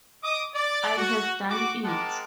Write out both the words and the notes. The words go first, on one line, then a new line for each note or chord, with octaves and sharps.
I have done it.
D#5 D6 D#6
D5
F#4
F#4 D6
G#3 C4 A#4 F#5 A5 D6